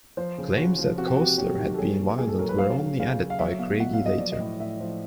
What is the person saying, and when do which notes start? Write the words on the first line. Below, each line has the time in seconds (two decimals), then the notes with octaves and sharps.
Claims that Koestler had been violent were only added by Craigie later.
0.17 F3 C5
0.38 C#3
0.57 C#3 F#4
0.78 F3
0.98 C3 F#4
1.07 G4
1.17 C3 F#4
1.38 F#3 G4
1.58 D#3
1.74 A4
1.78 F#3 G#4
1.99 A#2
2.18 A#2 G#4
2.28 A4
2.39 F#3 A#4
2.49 B4
2.58 F#3 F5
2.79 C#3
2.99 C#3 F5
3.19 F#3
3.30 F5
3.39 F#3 E5
3.59 B2 F5
3.80 B2 F#5
3.94 F5
4.00 F#3
4.06 D#5
4.19 F3 D5
4.32 D#5
4.40 A2
4.60 A2 E5
4.80 F3